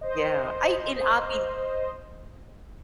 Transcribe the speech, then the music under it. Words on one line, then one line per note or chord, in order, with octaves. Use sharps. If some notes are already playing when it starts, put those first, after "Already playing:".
yeah. I and I'll be
C5 D#5